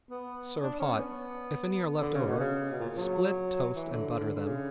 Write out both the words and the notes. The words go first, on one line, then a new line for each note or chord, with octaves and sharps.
Serve hot. If any are left over, split, toast and butter them.
B3
D4
C#4
B3
D3
C#3
B2
C#3
B2
A#2
F#3
E3
D3
D3
D3
C#3